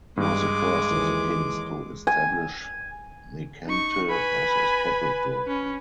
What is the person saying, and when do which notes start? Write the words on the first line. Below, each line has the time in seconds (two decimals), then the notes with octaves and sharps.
He was the first of the kings to establish Nekemte as his capital.
0.17 G2 G#3 D6
0.91 D#2 E3
2.07 G#5
3.65 D#4 C#6
4.10 B4 G#5 B5
5.48 C#4